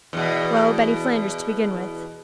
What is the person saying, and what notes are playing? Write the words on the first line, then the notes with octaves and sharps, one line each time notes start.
Well, Betty Flanders, to begin with.
E2 B2